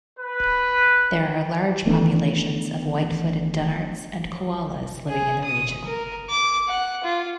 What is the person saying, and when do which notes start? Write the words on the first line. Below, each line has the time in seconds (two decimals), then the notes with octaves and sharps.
There are large populations of white-footed dunnarts and koalas living in the region.
0.18 B4
1.85 D#3 E3 A3 B3 D4
5.08 G#4
5.44 D#6
5.84 A#4
6.29 D6
6.68 F#5
7.04 F4